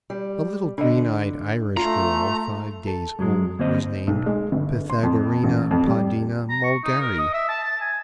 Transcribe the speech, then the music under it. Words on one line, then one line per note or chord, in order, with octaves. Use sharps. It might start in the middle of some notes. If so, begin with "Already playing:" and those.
A little green-eyed Irish girl, five days old, was named Pythagorina Podina Mulgarry.
G3
D3 D4 D#5
A3 F4 A#5
A4
F#2 F#3 G#3
D3 A#3 C4 C5 D#5
B1
G#3
G1
C6
F2
A1
F2
G3
A#5
C#6
D#4
A#4
D#5
E5
A5
A5
G#5